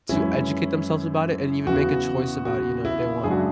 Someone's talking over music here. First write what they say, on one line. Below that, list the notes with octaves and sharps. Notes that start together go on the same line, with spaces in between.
to educate themselves about it and even make a choice about it, you know, if they want
F#2 E3 G#3 C#4 E4
E2 C#3 E3 F#4
F#4
E4
F#2 C#3 G#3 D4 G#4
F#4